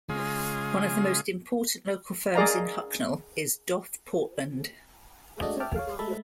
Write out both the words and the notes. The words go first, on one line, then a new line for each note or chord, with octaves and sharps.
One of the most important local firms in Hucknall is Doff Portland.
C#3 G#3 F4 G#4
G#4 A#4 D5 D#5 F5 A#5
G#3 A3 D4 F#4 D5 D#5
E5 G5 A5 D6 F6
C#5 F5
G#3 A3 E5 A5 B5